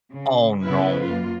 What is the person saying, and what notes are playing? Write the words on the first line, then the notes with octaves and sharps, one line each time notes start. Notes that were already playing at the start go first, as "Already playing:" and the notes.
Oh, no.
C#3
C#3 B3 E4 B4
F#2 A#3 F4